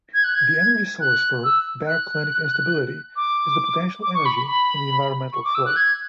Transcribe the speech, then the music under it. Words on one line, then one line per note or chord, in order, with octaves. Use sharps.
The energy source for baroclinic instability is the potential energy in the environmental flow.
G#6
F#6
G#6
F#6
E6
F#6
D6
D6
C#6
B5
B5
B5
C#6
D6
E6
F#6
G#6